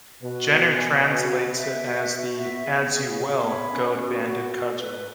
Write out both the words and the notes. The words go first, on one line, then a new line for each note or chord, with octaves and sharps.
Jenner translates it as the As-You-Will Gold-Banded Cudgel.
B2 B4
B4
G#5
B4
B4
E5
B3 F#4
F#4
E5
G#4
G#4
C#5
B5
C#4
F#4
F#4
F#4
B4